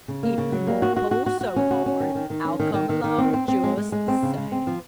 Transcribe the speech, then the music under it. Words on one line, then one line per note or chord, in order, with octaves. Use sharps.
If you won't pull so hard I'll come along just the same.
C#3
A#3
C#3
F#3
A#3
F#4
F#4
F#4
F#4
F#4
C#4
F#4
C#4
D#3
D#3
D#3
C#4
D#3
D#3
D#3
D#3
C4
C4
C4
G#3
G#3
G#3
C4
C#3
G#3
C4
F3